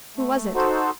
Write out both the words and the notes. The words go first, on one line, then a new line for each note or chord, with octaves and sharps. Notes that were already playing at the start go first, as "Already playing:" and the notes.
"Who was it?"
A3
D#4 F#4 A4 C5